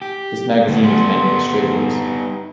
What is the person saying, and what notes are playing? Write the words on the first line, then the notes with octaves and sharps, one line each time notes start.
This magazine was meant for straight news.
G4
D2 B3
G3 B3 C6
D#4